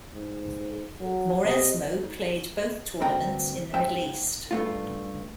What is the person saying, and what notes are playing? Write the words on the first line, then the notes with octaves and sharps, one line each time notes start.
Mauresmo played both tournaments in the Middle East.
G#2
F#3
C3 D#5
D2 G2 C4 A#4 G5
G#2 E5 G5
G2 A3 F4